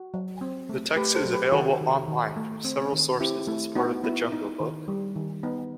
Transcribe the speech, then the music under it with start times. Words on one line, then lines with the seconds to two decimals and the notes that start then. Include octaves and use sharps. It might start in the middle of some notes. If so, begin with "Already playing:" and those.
The text is available on-line from several sources as part of "The Jungle Book".
Already playing: F#4
0.14 F#3
0.41 C4
0.69 A3
0.96 A3 G4 B4
1.15 A4 C5
1.25 F#3
1.33 G4 B4
1.52 D#3 F#4 A4
1.81 D#3
2.08 D#3
2.36 A3
2.65 C4
2.93 D#3
3.20 C4 E4 G4
3.47 A3 E4
3.75 B3 D#4 F#4
4.03 B3 E4
4.32 B3 D#4
4.60 D#3
4.88 G3
5.16 D#3
5.43 B3 D#4